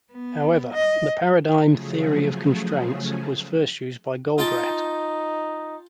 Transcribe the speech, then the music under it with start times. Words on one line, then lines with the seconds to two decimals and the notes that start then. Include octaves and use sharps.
However, the paradigm "Theory of constraints" was first used by Goldratt.
0.12 B3
0.73 D#5
1.67 C#3 F3 F#3 A3 G#4
4.38 D#4 F4 G5 A5